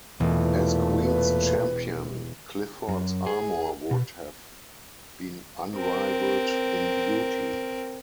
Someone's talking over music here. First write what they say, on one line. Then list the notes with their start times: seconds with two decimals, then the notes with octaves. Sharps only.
As Queen's Champion Clifford's armour would have been unrivaled in beauty.
0.20 E1 E2 A#2 A3
1.01 B4
2.88 F#2
3.26 G#4
3.91 B2
5.74 C4 A#4